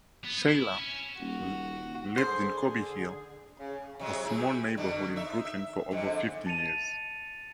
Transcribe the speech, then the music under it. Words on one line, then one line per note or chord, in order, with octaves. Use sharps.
Sheila lived in Cobble Hill, a small neighborhood in Brooklyn for over fifty years.
B3
E4
C#4
D#1 F#4
D3 G#4 C5
C#3
C3 F#3 G#3
C4 E4 G#4
B2 D3 D4
D#4 E5
E5
F2 G#2 D3
A5 A6 C#7 D#7 F7